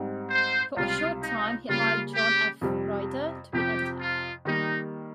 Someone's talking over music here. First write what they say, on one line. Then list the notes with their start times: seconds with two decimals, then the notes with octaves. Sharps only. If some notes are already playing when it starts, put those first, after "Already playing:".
For a short time he hired John F. Rider to be editor.
Already playing: G#2 G3 C4 D#4
0.31 C5
0.77 C#2 C3 G3 F4
1.22 D#4
1.69 C#3 G3 A#3 F4
2.15 G4
2.61 F2 C3 G3
3.53 F2 C3 F3 G4
4.00 F4
4.45 D#3 G3 A#3 D#4